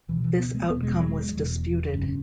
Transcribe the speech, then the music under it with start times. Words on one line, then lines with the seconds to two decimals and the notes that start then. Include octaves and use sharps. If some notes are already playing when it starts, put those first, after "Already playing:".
This outcome was disputed.
0.08 C#2 B2 E3
0.24 E3
0.39 B3
0.55 G#3
0.70 E1 E2 B2 B3
0.83 G#3
0.96 F#3
1.08 G#3
1.32 E1 E2 B2
1.93 G#1 F#2 C#3 C#4
2.04 C#4